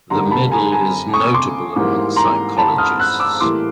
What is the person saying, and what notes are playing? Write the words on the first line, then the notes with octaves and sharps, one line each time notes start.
The medal is notable among psychologists.
F#2 D3 G3 A#3 A#5 C6
A5 B5
G#5 A#5
G#5 A#5
C#6 D#6
C6 D6
G#2 E3 G3 A#3
A#5 C6
A5 B5
D#6 F6
E6 F#6
D6 E6
A2 E3 G3 A#3 C6 D6